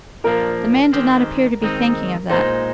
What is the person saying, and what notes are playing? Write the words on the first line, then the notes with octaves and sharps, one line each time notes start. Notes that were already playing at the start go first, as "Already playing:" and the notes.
The man did not appear to be thinking of that.
A#2 F3 A#3 D4 A#4
D#3 G#3 C4 G4
D#3 G#3 C4 D#4
A#2 G#3 D#4 C5